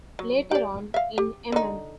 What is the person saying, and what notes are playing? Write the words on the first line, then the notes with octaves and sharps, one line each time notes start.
Later on, in mm.
F#3
G4 D5
E5 F5
G4
D3 D#4